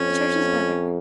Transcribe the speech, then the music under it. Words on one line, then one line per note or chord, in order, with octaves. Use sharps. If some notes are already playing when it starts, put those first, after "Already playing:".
The church is better.
Already playing: F2 C#4